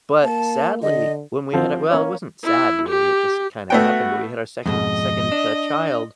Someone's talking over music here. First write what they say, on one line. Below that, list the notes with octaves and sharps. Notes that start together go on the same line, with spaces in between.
but sadly, when we had a well, it wasn't sad, really. It just kinda happened, but we had our second second, uh, child
A#3 A5
D3 D#5
D3 F3 C4
A#3 C#4
E4
G4
A3 B3 F#4 G5
F2 G#2 B2 D#5
D4